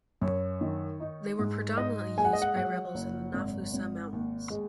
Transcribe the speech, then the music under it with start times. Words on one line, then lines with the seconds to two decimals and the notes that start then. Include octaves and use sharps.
They were predominantly used by rebels in the Nafusa Mountains.
0.22 F#2 C#5
0.61 D#3
1.00 D#4
1.39 G#2
1.77 D#4 D#5
2.18 G#3 G#5
2.25 F#5
2.33 D#5
2.42 F#5
2.56 F#3 F#5
2.95 F#1
3.33 G#1
3.74 G#1
4.13 D#2
4.50 G#3